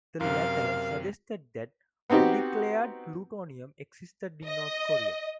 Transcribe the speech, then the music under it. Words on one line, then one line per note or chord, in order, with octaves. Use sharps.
The latter suggested that undeclared plutonium existed in North Korea.
F#2 C3 A#4 F5
B3 C4 D#4 F#4 G4
D#5